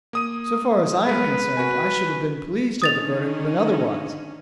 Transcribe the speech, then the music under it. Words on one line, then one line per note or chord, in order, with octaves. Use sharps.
So far as I am concerned I should have been pleased had the verdict been otherwise.
A#3 D#6 D#7
G#3 B3 A#4 B4
F#4 A#4 G#5
D3 D#3 C#4 D#6 A6 F7